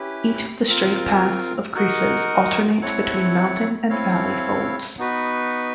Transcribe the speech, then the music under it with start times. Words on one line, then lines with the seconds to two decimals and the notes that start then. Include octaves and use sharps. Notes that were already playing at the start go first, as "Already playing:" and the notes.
Each of the straight paths of creases alternates between mountain and valley folds.
Already playing: C#4 E4 G4 B4
0.66 C4 F4 A#4
1.75 D#4 F#4 A#4 D#5 F#5
2.82 C4 E4 A4 C#5 F#5
3.90 C4 E4 A4 C#5 F5
4.98 B3 D#4 F#4 B4